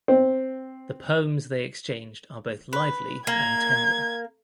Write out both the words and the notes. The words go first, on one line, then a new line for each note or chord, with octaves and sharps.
The poems they exchanged are both lively and tender.
C4
B4
A#3 G#6